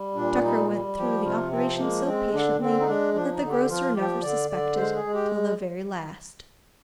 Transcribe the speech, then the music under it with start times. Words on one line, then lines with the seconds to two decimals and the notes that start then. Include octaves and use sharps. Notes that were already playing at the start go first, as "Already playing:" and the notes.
Tucker went through the operation so patiently, that the grocer never suspected till the very last.
Already playing: G3
0.15 A#2 D4
0.43 G3 D#4
0.70 G3
0.96 F3 G4
1.24 C3 F4
1.51 F3 C4
1.78 G#3 A#3
2.05 G#3 C4
2.33 D3 D4
2.60 D3 C4
2.80 D#4
2.87 G#3 D4
3.14 F3 D4
3.32 D#4
3.42 D3
3.50 G4
3.69 F3 F4
3.96 F3 G4
4.22 D3 D5
4.50 D3 D5
4.76 G#3 C5
4.95 G#4
5.05 G#3
5.14 G4